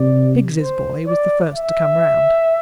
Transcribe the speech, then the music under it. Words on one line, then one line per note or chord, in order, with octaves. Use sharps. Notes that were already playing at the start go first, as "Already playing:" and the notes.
Biggs's boy was the first to come round.
Already playing: C3 D5
C5
D5
E5